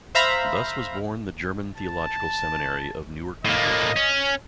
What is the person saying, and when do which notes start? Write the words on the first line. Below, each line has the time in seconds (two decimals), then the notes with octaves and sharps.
Thus was born the German Theological Seminary of Newark, New Jersey.
0.15 C5 E5 F5 A#5 B5
1.77 A5
3.45 A2 A#3 D#5
3.96 C#4